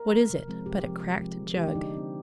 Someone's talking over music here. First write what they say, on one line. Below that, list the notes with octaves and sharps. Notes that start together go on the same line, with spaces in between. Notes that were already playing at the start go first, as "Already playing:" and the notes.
What is it but a cracked jug?
Already playing: A#4
F3 G#3 C4
C3
F3 G#3 C4
C3 G4
F3 G#3 C4
C3
F3 G#3 C4
D3
G#3 C4 G4
D4
D3 D#4
G#3 C4